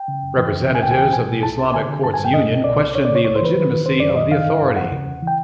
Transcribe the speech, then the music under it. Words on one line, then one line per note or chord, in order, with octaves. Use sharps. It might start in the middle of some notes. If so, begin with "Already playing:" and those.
Representatives of the Islamic Courts Union questioned the legitimacy of the authority.
Already playing: G5
C#3
F#2
E3
D#2
C#3
G#5
D#2 G5
G#5
E3 G5
B2 G#5
B2
C2 A5
C2 A5
D3 G#5
D3
G2 A5
G#5
G2
G5
B2 D#5
B2
C2 D5
C2
C#2 C#5
D5
C#3 C#5
C#2 C#5
C5
E3 B4
D#3
D#3
F#2 C5
F#2 D5
D#3 D#5
D#3 F5
G2
G2
E2 F#5
C#3
E2
E3
G5